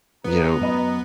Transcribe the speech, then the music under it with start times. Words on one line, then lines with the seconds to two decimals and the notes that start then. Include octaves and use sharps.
you know
0.24 B3 A#5
0.61 F#2 D#5 B5